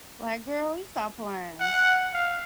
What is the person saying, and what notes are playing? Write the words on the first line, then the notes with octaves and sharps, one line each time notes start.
Like, "Girl, you stop playing."
F#5
F5